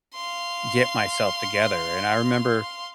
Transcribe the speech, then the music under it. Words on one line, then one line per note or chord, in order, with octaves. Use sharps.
get myself together. And I remember,
F5 C6